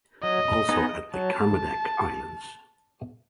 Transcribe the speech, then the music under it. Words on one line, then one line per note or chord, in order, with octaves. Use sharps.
Also at the Kermadec Islands.
F#3 D#5
B3 D#4 G#4
F#3 A5